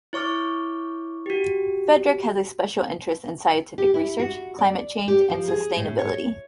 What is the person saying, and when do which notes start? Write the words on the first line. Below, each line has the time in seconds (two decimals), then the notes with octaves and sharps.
Frederik has a special interest in scientific research, climate change and sustainability.
0.13 E4 C#5 C#6 D6 F6
1.26 F#4 G4
3.78 G4
3.94 E4
4.19 F#4
4.59 D5
5.08 G4
5.30 F3
5.48 G#4
5.77 A2
5.99 C#5